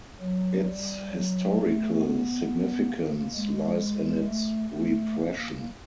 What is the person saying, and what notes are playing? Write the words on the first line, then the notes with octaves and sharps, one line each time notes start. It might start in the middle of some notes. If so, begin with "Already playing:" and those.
Its historical significance lies in its repression.
F#3
G3
F#3
A3
B3
B3
A#3
G#3
A3
A3
A#3